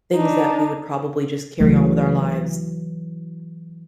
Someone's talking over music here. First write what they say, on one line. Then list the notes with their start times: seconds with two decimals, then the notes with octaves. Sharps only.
things that we would probably just carry on with our lives,
0.15 D4 D#4
1.60 C#2 E3 F#3 A3